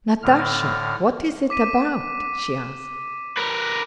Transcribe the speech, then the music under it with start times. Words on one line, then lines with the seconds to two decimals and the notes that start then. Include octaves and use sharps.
"Natasha, what is it about?" she asked.
0.22 A2 D3 F6
1.50 D6 B6 D#7
3.37 A#4 B4